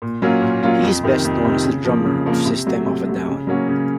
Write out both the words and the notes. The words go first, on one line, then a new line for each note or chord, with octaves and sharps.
He is best known as the drummer of System of a Down.
A#2
F#3 A#3 C#4 F4
A#2
F#3 A#3 C#4 F4
F2
C3 D#3
F2
C3 D#3
C#3
F3 A#3
C#3
F3 A#3
C3
F#3 A3
C3
F#3 A3
C#3
F#3 A#3 C#4 F#4
C#3